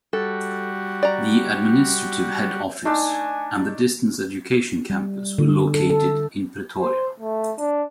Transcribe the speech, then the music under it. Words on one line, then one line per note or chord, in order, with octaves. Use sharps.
The administrative head office and the Distance Education Campus were located in Pretoria.
G3 F#4 A4
D5 A#5
A3 D4 D#4 G#5
G3
D3
A4
A4
C5
A3
D4